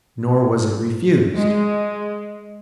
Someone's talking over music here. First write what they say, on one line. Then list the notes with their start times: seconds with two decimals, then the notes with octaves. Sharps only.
Nor was it refused.
1.36 G#3